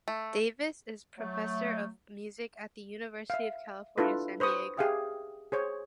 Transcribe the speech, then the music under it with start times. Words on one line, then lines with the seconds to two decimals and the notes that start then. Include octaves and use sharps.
Davis is professor of music at the University of California, San Diego.
0.08 A3
1.18 F#3 A3
3.30 E5 F5
3.98 D4 E4 F4 A4 B4
4.40 B4 C5 C#6 D#6
4.77 G4 G#4 E5 F5 G5 D#6
5.52 G#4 C5 C#5